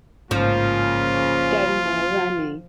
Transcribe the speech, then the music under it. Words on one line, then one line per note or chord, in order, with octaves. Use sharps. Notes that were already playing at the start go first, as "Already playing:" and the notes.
Don't know any.
A1 G#2 C#3 F3 A#3 F4